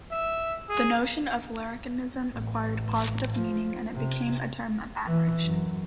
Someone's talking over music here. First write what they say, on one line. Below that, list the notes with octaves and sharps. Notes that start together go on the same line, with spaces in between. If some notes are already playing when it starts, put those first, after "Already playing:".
The notion of larrikinism acquired positive meaning and it became a term of admiration.
E5
G#4
A1
F3
C3
E3
F#2